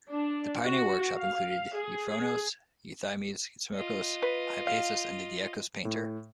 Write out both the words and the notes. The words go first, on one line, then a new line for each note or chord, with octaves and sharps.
The pioneer workshop included Euphronios, Euthymides, Smikros, Hypsias, and the 'Dikaios Painter'.
D4
F#4
F5
G#4
G#4
F4 D#5
B4
F5
A2